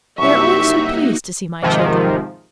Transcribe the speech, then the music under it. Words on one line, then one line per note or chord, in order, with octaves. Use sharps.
They are always so pleased to see my children.
C2 F#2 A#3 D#4 F#4 G4 E5 C#6
G#2 C3 D#3 F3